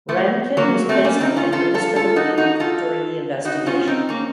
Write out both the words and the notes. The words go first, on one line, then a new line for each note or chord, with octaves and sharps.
Rankin was placed on administrative leave during the investigation.
F3 A3
F#3 A#3
A3 C4
A#3 C#4
C4 D#4
C#4 F4
F4 A4
F4 A4
F4 A4
D#4 F#4
D#4 F#4
F4 A4
D#4 F#4
C#4 F4
C4 D#4
A#3 C#4